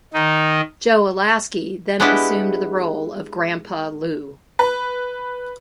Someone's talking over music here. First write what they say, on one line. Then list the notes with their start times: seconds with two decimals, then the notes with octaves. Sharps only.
Joe Alaskey then assumed the role of Grandpa Lou.
0.14 D#3 D#4
2.00 G#3 B3 D4 E4 F#4 G4
4.59 B4